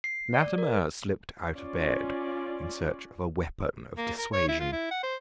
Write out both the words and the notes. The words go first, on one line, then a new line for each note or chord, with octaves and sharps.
Latimer slipped out of bed in search of a weapon of dissuasion.
C7
D5
A#4
C#4 F4 D5
A#3
A#4
C#5
E4
F4
E4
F#5
C5